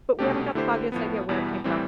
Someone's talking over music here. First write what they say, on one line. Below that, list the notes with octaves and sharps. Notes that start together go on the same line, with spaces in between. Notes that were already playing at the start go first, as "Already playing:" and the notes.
but we haven't got the foggiest idea where it came from.
C2 B2 A3 D4 G4
D3 A3 E4 G4 C5
A2 F3 B3
E2 B2 G3 B3 E4
A2 E3 G3 C4